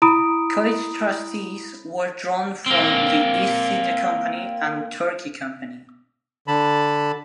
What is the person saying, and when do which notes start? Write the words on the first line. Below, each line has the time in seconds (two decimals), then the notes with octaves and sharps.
College trustees were drawn from the East India Company and Turkey Company.
0.02 E4 A#5 B5 D#6 D7
2.66 A#3 C4
6.48 D3 A5 B5